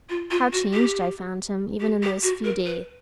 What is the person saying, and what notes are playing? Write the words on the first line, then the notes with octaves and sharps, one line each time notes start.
How changed I found him, even in those few days!
F4
F4
F#4
G4
G4
G4
F#4
A#4
B4